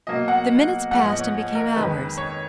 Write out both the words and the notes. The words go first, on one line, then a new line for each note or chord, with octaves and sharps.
The minutes passed and became hours.
B2 F#3 A#3 D#5
F#5
G#2 F3 G#3 B3 F#5
D#5
C#5
A#4
F2 D#3 G#3 B4
C#5